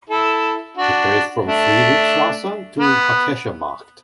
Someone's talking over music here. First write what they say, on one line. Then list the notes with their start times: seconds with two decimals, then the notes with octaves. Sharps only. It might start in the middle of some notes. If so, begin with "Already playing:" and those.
It goes from Friedrichstraße to Hackescher Markt.
0.09 E4 A4
0.77 D4 F#4
1.45 A3 D4
2.79 B3